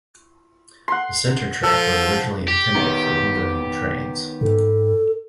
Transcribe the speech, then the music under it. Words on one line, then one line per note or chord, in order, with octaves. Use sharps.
The center track was originally intended for relaying trains.
F#5 C6
F3 A4
G4
D#3 B3
G#2 A4